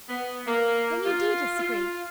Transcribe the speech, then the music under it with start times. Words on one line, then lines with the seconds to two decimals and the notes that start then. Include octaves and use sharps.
Then you do disagree.
0.09 B3
0.47 A#3
1.06 F4
1.59 F4